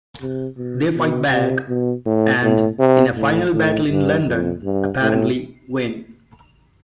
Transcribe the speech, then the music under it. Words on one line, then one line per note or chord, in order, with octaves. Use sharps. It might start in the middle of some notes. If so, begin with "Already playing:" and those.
They fight back and, in a final battle in London, apparently win.
C3
B2
B2
C3
B2
A2
A2
C3
A2
A2
G2
F2
G2
A2